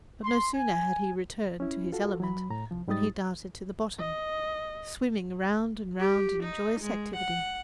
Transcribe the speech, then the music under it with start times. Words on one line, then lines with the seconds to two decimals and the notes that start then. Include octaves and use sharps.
But no sooner had he returned to his element than he darted to the bottom, swimming round and round in joyous activity.
0.23 C6
0.54 G#5
1.60 C#4 E4
1.92 F4 F#4 A4
2.20 F#3 B5
2.50 A2 A#5
2.71 C2 F3
2.88 G#2 G3 D#4 G4 D#6 A6
3.99 D#5
5.99 G4
6.44 D#4
6.81 G#3
7.16 F#5